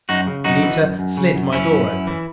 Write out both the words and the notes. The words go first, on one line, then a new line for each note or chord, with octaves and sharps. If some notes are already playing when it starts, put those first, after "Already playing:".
Anita slid my door open.
F#2 D#4 F#4
C#3
F#2 D#4 F#4
E3
F#2
F#2
C#3
F#2
F#2 C#4 E4
F#2
F#2
E3